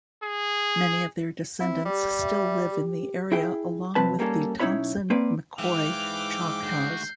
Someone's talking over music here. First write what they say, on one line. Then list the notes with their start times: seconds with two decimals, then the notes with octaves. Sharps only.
Many of their descendants still live in the area along with the Thompson-McCoy Choctaws.
0.23 G#4
1.60 C4 E4
1.85 G3 G4
2.19 E5
2.69 G4
3.32 E4 G#4 G5
3.95 C2 G#2 F3 C4 B4 A5
4.19 G3 A#3 C#4 F#4 A4
4.60 B1 C#4 D#4 E4 C#5 B5
5.10 A#3 C4 B4 D5
5.59 G#2 E3 F5 G5 D6 F7
6.63 D2 F#4 G6 C7